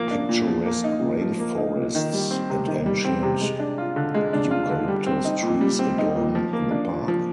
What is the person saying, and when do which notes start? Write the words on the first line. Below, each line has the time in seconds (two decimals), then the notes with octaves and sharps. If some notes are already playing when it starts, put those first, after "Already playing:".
Picturesque rain forests and ancient eucalyptus trees adorn the park.
Already playing: A#2 F3 A#3
0.11 D4
0.29 A#2
0.47 F3
0.65 A#3
0.84 D#4
1.02 A#2
1.21 F3
1.39 A#3
1.58 D#4
1.76 A#2
1.95 D#3
2.13 G3
2.31 C4
2.50 C3
2.68 D#3
2.86 G3
3.05 C4
3.23 C3
3.41 G#3
3.59 D4
3.78 F4
3.96 D3
4.14 G#3
4.33 D4
4.51 F4
4.70 D3
4.88 G3
5.06 C4
5.25 D#4
5.43 A#2
5.61 G3
5.79 C4
5.98 D#4
6.16 A#2
6.35 F3
6.53 A#3
6.71 D4
6.89 A#2
7.08 F3